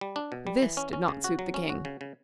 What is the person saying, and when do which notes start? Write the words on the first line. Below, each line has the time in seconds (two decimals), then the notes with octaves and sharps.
This did not suit the king.
0.01 G3
0.16 D4
0.32 B2
0.47 G3
0.62 E3
0.77 C#4
0.93 C#4
1.08 C#3
1.24 F#4
1.39 F#3
1.54 C#4
1.69 F#4
1.85 C#3
2.01 C#3